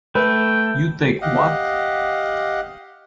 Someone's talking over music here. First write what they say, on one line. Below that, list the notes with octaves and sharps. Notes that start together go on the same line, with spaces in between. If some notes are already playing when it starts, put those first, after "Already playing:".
You take what?
A3 B4 G5
G4 D#5 F5 F#5